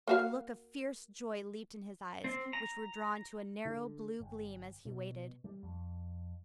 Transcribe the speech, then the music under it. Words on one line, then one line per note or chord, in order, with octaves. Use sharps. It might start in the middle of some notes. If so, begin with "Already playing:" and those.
A look of fierce joy leaped in his eyes, which were drawn to a narrow blue gleam as he waited.
A#3 F#4 F5
C4
A#5
D3
G1
B2
G3
F2